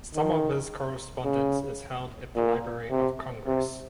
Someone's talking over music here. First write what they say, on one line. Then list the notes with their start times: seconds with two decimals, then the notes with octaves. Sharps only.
Some of his correspondence is held at the Library of Congress.
0.15 D#3
1.25 C#3
2.36 A#2
2.91 C3
3.46 C3